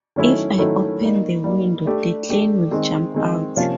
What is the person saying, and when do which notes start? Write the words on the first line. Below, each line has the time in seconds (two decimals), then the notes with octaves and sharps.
If I open the window, Declan will jump out.
0.16 D#3 F#3 A3 C#4 E4
0.58 D#3 F#3 A3 C#4 E4
1.01 G3 A#3 D#4
1.44 G3 A#3 D#4
1.86 A3 D4 G4
2.29 A3 D4 G4
2.71 D#3 G#3 C4
3.14 D#3 G#3 C4
3.56 C3 F3 A#3 C#4 F4